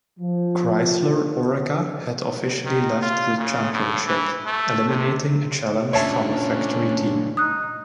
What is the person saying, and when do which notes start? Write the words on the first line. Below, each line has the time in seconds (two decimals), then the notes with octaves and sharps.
Chrysler-Oreca had officially left the championship, eliminating a challenge from a factory team.
0.19 F3
2.66 D#3
3.02 F4
3.38 C#3
3.72 A2
4.07 E3
4.46 A3
4.89 C3
5.93 C#2 A#2 C#4 D4 C#5 E5 A5
7.37 D#4 D#6 F#6